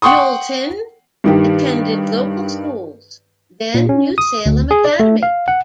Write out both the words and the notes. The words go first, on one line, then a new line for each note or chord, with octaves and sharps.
Knowlton attended local schools, then New Salem Academy.
F#5 G5 C6 C#6 D#6
G2 D#3 G4
A#2
C#4
D#6
D2
G#4
D5
A3
F5
F#5